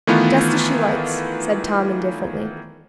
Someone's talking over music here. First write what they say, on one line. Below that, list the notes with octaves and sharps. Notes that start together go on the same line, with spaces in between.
"Just as she likes," said Tom indifferently.
D#3 E3 A3 B3 F4